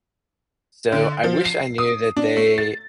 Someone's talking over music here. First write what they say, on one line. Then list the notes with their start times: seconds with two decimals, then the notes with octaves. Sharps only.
So, I wish I knew that they
0.92 D3
1.24 F3
1.45 C7
1.78 D#6
2.17 D4
2.37 A3
2.58 A6